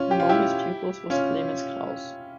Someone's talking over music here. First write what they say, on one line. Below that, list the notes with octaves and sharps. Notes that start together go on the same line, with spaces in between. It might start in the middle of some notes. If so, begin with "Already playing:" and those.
Among his pupils was Clemens Krauss.
Already playing: C#4 F4
G4
F4
E4 G4
C#4 F4